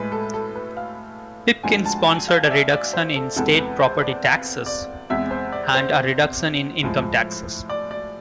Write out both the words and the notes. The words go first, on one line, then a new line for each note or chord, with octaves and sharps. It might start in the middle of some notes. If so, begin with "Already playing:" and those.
Pipkin sponsored a reduction in state property taxes and a reduction in income taxes.
Already playing: A2 G#3 B4
A4
A4
B4
F5
D2 D3 F3 G#3 G#5
A5
G#5
F5
D5
E5
D5
C5
A4
E2 C3 E3 G#3 A4
B4
C5
D5
F5
D5
E2 C3 G#3 E5
C5
D5
C5
A2 F3 G#3
D5
D5